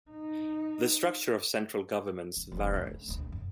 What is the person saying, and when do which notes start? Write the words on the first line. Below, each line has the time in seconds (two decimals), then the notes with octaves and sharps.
The structure of central governments varies.
0.11 D#4
2.37 G2
2.52 F1
2.73 D3 A3
2.87 A3
3.08 D#1 D2
3.32 F#2